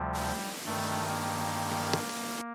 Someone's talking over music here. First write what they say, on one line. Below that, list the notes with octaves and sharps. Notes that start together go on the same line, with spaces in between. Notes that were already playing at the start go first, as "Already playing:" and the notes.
Please wait a moment while I am investigating the issue.
Already playing: D2 C3 F3 G3
G2 D#3 A3
A#3